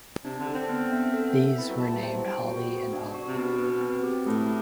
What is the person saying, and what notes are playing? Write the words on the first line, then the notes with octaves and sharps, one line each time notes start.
These were named "Holly" and "Olly".
C3 D4
D3
A4
C4
B3
E5
A4
E5
B3 E4
F#3
B3 A5
G3
G3 C5
F#3
G2 G5
B2
F#4
F#4
D4
F#4
C3
B2 B3
B4
C4
G4
A2 A3